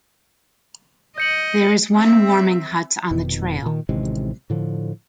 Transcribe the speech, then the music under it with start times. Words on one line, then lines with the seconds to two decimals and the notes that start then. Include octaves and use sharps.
There is one warming hut on the trail.
1.18 D#5 G6 C#7 F#7
1.94 C4 E5
3.11 F1 F2 B2 D#3
3.62 A#2 D#3
3.89 A1 C3 D#3 G#3
4.50 A2 D3 F3